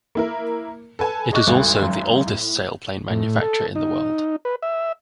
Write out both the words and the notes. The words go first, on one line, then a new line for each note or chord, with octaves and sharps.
It is also the oldest sailplane manufacturer in the world.
A#3 E4 A#4
A4 B4 G#5 A5
G#4 D#5 C#6 D6 F#6
G#1 D2 G2
G#1 F#2
A2
A2
A4
D#4
B4
E5